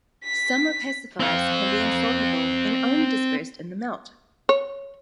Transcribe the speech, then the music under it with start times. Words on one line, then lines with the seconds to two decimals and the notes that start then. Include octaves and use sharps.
Some opacifiers can be insoluble and only dispersed in the melt.
0.24 B6
1.20 C4 F5
4.49 C#5